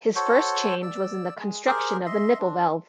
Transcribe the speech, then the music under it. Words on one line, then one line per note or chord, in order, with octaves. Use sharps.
His first change was in the construction of the nipple valve.
F#4 A4 C5 C#5
D5 E6
G#3
G4 G#4 A#4 C5
D#5 E5 C6
C4 D4